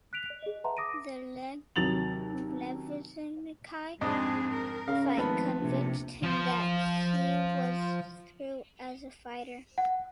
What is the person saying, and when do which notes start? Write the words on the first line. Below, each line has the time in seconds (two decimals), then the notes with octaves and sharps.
The Levinsky fight convinced him that he was through as a fighter.
0.13 F#6 B6 D7 F7
0.30 D5
0.42 G#4 D#5
0.64 B4 E5 F#5 A5 A#5 C6
0.77 D6 D#6 A#6 D7 D#7
1.76 D#2 C3 F#3 A6 F7 F#7
4.01 F2 G#2 C4 D4 G#4 D#5
4.51 A#4
4.88 C#3 F5
5.17 G#1 F3 A3 B3 B5
5.60 A#1 C3
6.23 F3 C5
9.78 F#5